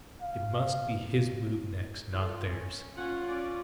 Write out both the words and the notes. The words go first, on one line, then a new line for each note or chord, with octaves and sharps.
It must be his move next--not theirs!
F5
F4 A4
C#4
C#4 F4 C#5 F#5
C#4 D5